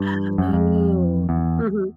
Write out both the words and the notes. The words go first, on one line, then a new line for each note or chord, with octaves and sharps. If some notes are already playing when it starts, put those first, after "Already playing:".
Oh. Mhm.
Already playing: G2
F#2
F2
E2